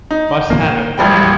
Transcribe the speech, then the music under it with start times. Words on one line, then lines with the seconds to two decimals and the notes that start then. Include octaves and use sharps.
Must have it, ma'am.
0.11 D#4
0.50 A#3 A#4
0.98 E1 A#1 G3 G5